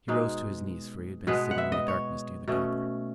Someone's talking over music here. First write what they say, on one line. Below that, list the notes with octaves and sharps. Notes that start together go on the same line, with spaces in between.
He rose to his knees, for he had been sitting in the darkness near the copper.
B2 G#3 D#4
B2 G#3 B3 B4
F#5
E5
D#5
C#5
B2 A3 C#4